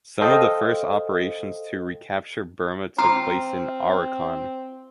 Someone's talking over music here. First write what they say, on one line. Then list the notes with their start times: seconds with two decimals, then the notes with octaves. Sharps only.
Some of the first operations to recapture Burma took place in Arakan.
0.21 A4 C5 D#5 F5 G5
2.98 C4 F4 F5 A#5 D6